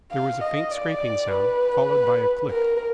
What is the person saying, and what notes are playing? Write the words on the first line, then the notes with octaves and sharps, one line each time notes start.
There was a faint scraping sound, followed by a click.
F5
D#5
D5
B4
A#4